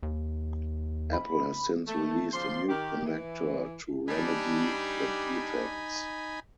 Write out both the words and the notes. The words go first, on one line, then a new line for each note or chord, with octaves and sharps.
Apple has since released a new connector to remedy the defects.
D#2
B5
A3
C#3 F3 F4 D5 C6
D#3 G4
E3
G3 D4 D#4 G#5 B5